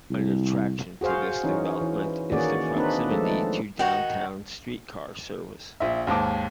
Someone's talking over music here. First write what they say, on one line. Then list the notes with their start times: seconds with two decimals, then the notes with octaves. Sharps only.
An attraction to this development is the proximity to downtown streetcar service.
0.10 C2
1.01 F#4 G#4 C5 F5
1.44 E3 C#4 D#4
1.81 E3
2.32 D#3 A#3 C#4 F#4 G#4 D5
2.76 A#3 C4 D4 D#4 B4
3.11 F3 G#3 A3 A4
3.79 D#3 F#4
5.80 A#1 E5
6.07 D#2 G#2 A5 D6